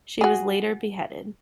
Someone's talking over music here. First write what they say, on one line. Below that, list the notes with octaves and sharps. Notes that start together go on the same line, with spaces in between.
She was later beheaded.
F#4 G#4